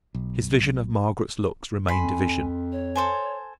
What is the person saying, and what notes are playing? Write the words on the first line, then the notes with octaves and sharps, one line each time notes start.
His vision of Margaret's looks remained a vision.
B1
F2 G#5 B5 C6
C#5
A4 C5 G#5